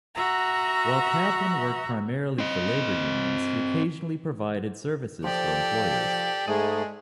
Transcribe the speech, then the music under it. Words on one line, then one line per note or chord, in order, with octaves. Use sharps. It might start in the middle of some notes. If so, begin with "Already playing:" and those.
While Kaplan worked primarily for labor unions, he occasionally provided services for employers.
F#4 E5 F#5 A#5
C4 D#5
F3 G4 A4 D5
G#2 G#3 A3 G#4